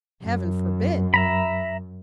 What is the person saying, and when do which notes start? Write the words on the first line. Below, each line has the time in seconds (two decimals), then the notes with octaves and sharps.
Heaven forbid!
0.21 F#2
1.14 E5 A#5 B5